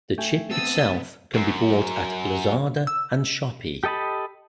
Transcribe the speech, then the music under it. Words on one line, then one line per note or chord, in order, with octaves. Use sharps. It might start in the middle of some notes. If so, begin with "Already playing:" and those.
The chip itself can be bought at Lazada and Shopee.
A3 G5 G#5
B3 C4 A5 D#6 E6
F#2
E6
G4 A4 D#5 A5 B5